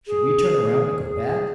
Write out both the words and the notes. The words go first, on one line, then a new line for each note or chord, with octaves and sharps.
Should we turn around and go back?
G#4